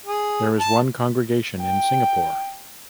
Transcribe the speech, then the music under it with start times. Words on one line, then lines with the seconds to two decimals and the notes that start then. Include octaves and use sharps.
There is one congregation in Singapore.
0.06 G#4
0.60 A5
1.61 G5